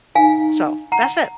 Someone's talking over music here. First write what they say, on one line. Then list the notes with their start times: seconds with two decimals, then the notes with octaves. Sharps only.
So, that's it.
0.15 D#4 F5 G#5
0.92 F#5 A#5